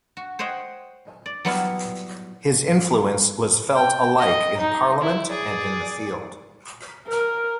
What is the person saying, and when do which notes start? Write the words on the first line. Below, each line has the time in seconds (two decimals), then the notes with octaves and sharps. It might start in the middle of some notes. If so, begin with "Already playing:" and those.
His influence was felt alike in parliament and in the field.
0.17 F#4
0.39 C5 C#5 D#5 F#5 G5
1.26 D5
1.45 F#3 G3 B3 E4 F4
3.75 G5
4.19 D#5
4.60 D#4
5.01 E4
5.30 G#4 D5
7.08 A#4